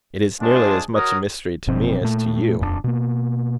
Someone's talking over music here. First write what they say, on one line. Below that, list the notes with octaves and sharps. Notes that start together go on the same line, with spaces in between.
"It is nearly as much a mystery to me as to you."
G#3 D4 F4 G#4 C5 A5
F#4 A#4 C#5 D#6
F#1 B2 F3 C4
A#2 A3
D#1 F2 F#3 D4
B2 A#3